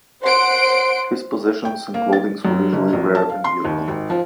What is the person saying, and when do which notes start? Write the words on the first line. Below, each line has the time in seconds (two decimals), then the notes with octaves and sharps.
His possessions and clothings were usually rare and beautiful.
0.23 C5 F#5 C6 D7
1.65 G5
1.94 A#3
2.13 A6
2.45 F#2
2.73 F#1
2.93 A#1
3.15 A5
3.29 F5
3.44 C6
3.65 D#2
3.88 G#1
4.10 F3